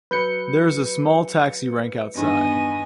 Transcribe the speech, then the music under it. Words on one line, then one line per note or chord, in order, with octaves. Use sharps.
There is a small taxi rank outside.
F#3 B4 G6 C#7
E2 G2 D#3 B3 D#5 G#5